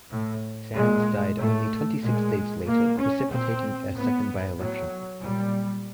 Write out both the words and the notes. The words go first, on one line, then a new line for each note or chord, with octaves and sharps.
Sands died only twenty-six days later, precipitating a second by-election.
A2
A#2 G#3
A2 A3
A#2 G#3
A#2 A#3
C#4
A#2 C4
A2 B3
A2 F#3
A#2 G3